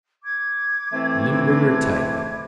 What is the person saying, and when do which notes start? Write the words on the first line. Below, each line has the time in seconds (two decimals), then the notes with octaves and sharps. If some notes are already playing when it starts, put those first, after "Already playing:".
Limburger type.
0.24 D6 G#6
0.92 E3 A3 C4